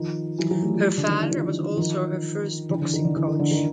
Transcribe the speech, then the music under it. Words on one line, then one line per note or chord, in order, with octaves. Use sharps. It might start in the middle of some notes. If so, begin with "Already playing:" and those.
Her father was also her first boxing coach.
Already playing: D#3 F3
E3 F#3
E3 F#3
G3 A3
F3 G3
D3
D#3
E3
D#3 F3
D#3 F3
D3 E3
D3
D#3
D3 E3
D3 E3
D#3
D3
D#3